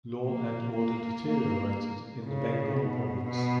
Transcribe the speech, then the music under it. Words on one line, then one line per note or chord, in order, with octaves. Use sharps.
Law and order deteriorated in the Bengal province.
A#3
A#3
A#3
C#3
B2
B2